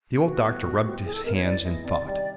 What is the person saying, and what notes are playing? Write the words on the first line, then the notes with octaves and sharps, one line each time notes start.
The old doctor rubbed his hands in thought.
A#2 F#4
G3 B3 E4
A#2
G3 B3 E4
E3 G#4
A4
G#3 B3 E4 G#4 A#4
C#5
E3 D5
G#3 B3 E4 G#4 D#5
C3 D5
D#3 G3